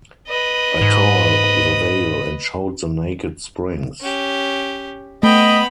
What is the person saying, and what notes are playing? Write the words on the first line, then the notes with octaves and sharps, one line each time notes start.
I tore the veil and showed the naked springs.
B4 D#5
G#2
C#4 G4
A3 B3 D#5 G5 B5